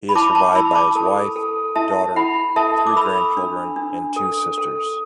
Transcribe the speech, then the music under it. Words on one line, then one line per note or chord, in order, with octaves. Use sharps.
He is survived by his wife, daughter, three grandchildren and two sisters.
B5
E4 A5 D6
A5 D6
E4 B5 E6
A5 D6
A4
A4
E4 E5 A5
E4 F#5 B5
A4 E5 A5
D6
A4 B5 E6
D4
D4
A4
A4